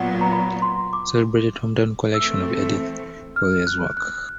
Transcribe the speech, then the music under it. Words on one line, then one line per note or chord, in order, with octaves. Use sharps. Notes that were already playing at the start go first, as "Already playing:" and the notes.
Celebrated hometown collection of Edith Collier's work.
Already playing: A#2 F#3 B3 F#5
A#5
B5
C6
D6
E3 A3 C4 E6
F6
F#6
F#6